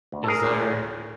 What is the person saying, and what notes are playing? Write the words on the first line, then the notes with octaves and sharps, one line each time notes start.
is there
D2
A4
G#4 A#4
D2